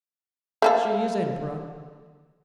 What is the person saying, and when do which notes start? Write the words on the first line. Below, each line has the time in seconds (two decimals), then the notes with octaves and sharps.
"She is emperor."
0.62 A3 A#3 A4